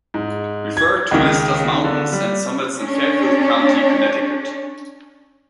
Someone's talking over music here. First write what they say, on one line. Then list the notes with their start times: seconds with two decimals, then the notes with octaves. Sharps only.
Refer to List of Mountains and Summits in Fairfield County, Connecticut.
0.14 G#2
0.77 G#6
1.11 C#2 D#3
1.84 D3
2.12 G3
2.76 C#4 D4